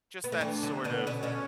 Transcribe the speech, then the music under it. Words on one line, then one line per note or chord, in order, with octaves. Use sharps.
just that sort of
B3
A3
E3 G3 D4
D3 F#3
B3
B2 D3
B2 D3 C#4
B2 D3